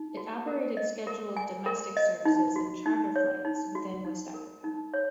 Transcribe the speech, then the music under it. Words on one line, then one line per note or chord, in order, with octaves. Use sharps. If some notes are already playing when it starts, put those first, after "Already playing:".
It operated scheduled domestic services and charter flights within West Africa.
Already playing: D#4
F#4
A#4
D#5
A#4
G#5
A#4
D#5
D#4
F#4
D#4
C#5
D#4
F#4
D#4
A#4
D#4
C#5